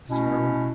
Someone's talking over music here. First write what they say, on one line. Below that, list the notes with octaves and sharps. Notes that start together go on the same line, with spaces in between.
That's terrible.
B2 A3 C#4 E4